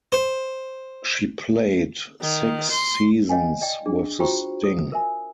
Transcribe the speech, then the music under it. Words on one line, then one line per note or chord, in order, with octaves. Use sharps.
She played six seasons with the Sting.
C5
D#3
C6
C#5 D#5 F5 G5 G#5
D5 D#5 G5
D4 G#4
F4 F#4 C5 G5 A#5 C#6
D#6
A#4 E5 G#5